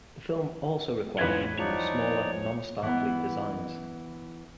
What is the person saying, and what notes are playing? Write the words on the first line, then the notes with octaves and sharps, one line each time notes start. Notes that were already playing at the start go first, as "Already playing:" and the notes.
The film also required a number of smaller non-Starfleet designs.
E2 G#2 D3 C#4 F4 B4 G#6
F3 D#4 C#5 D5
E3 B3